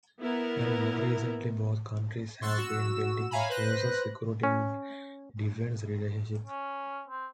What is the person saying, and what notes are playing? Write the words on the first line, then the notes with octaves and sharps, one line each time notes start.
And more recently, both countries have been building a closer security and defense relationship.
B3 E4 A#4
C6 C#6 E6 F#6 A6
F#4 E6 E7
C#5 E5 F5 G#5 A#5 B5
B4 C5 F#6 A#6
C#4
C#4
C4